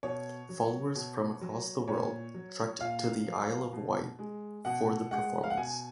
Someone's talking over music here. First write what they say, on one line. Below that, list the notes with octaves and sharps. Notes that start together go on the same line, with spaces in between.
Followers from across the world trekked to the Isle of Wight for the performance.
B2 C#5
F#3
B2
F#3
A#2 C#5
F#3
A#2 F5
F#3
B2
G#3
B2 F#5
G#3 F#5
F5
F#5
B2 G#5